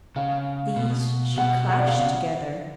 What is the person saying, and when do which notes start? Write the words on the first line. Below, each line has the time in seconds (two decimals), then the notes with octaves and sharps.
These she clashed together.
0.16 C#3 F5
0.76 B2
1.38 B2 F#5
1.68 F#5
1.78 D5
1.87 F5
1.98 C#3